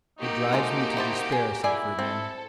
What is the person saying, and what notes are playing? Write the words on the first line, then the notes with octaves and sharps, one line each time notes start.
"It drives me to despair," said Fernand.
A#3 D#4 F#4 G4
G#3 F4 A4
E4 C5 A5
G#4
E4 G#4 D5 G#5
C4 A4